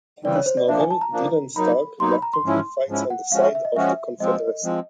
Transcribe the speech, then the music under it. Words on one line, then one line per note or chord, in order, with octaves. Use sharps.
In this novel Dylan Stark reluctantly fights on the side of the Confederacy.
C#3 E3 G3 C4 D5
C#5
C5
D5
F3 A#3 D4 E5
G#5
A5
A#5
F3 A#3 D4
F#3 A#3 D#4 B5
F#3 A#3 D#4 C6
B5
A#5
C6
G#2 F3 G#3 C#4 E4
G#2 F3 G#3 C#4 E4
F#5
F3 G#3 C#4 F#4 F5
E5
E5
D#5
F3 G#3 C#4 F#4 E5
F3 G#3 C4 D#5
F3 G#3 C4